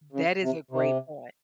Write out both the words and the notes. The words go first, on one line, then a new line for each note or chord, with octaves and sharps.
That is a great point.
C#3
C3
C3